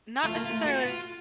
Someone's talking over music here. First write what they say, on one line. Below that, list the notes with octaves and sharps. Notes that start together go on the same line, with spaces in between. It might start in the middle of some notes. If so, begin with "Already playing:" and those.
not necessarily
A3 F4
A#3
A3 F4
F#4
F4